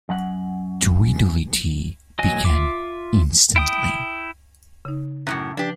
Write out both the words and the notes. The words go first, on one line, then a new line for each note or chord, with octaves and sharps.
Tweedledee began instantly.
F#2 F#3 F#5
F#3 D#5 G#5
F4 E5 D6
E4 G5 D#6
C#3 D#4
F#2 A2 C3 C#4 F#6
F3 D4 G4 B4